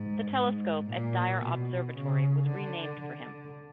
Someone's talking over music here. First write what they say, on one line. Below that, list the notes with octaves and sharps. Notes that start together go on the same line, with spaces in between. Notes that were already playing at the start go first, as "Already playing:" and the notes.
The telescope at Dyer Observatory was renamed for him.
Already playing: G#2
G#2
A#2
B2
C#3
D3
D3